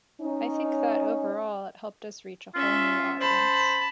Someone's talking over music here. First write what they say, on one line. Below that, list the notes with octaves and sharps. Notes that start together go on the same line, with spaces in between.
I think that overall, it helped us reach a whole new audience.
C#4 D#4
C#4 F4 E5
C5 A5 B5